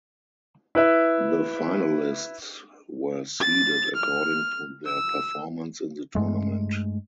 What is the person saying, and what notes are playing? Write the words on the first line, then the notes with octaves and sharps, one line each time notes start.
The finalists were seeded according to their performance in the tournament.
E4 B4 E5
A6
F6
E6
G2 G#3 A3